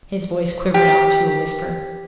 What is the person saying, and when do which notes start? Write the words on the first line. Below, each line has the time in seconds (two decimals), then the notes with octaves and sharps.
His voice quivered off to a whisper.
0.74 G4